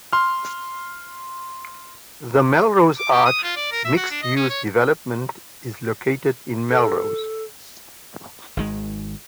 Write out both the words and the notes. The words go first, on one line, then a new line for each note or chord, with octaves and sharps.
The Melrose Arch mixed-use development is located in Melrose.
C6 F6
D6
G4
D#6
F4
D5
A#4
E5
F#4
D4
D#5
C#4
C#5
A4
G#1 D#3 G#3